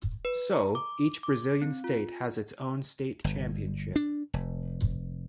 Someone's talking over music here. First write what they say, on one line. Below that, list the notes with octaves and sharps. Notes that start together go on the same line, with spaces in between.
So, each Brazilian state has its own state championship.
B4
A#5
D6
D6
C4
F4
G1
D4
F1